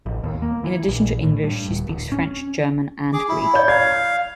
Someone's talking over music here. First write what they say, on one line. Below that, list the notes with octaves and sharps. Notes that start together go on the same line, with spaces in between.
In addition to English, she speaks French, German, and Greek.
A1
D#2
A#3
E3
A#1
A2
G2
D1
D1
C#4
G#4 D6
E4
C#5 D5 G6
F5 G#6